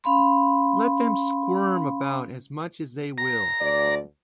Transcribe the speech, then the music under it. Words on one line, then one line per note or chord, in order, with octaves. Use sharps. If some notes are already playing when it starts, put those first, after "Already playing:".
Let them squirm about as much as they will.
C#4 F5 B5 C6
A#5
D2 D5